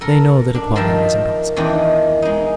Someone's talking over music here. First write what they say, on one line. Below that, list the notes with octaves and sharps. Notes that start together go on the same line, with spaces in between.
They know that equality is impossible.
A4 A#4
D4
D#3 F3 A#4 E5 A5
E2 D#3 E3 D4
G#3 D#4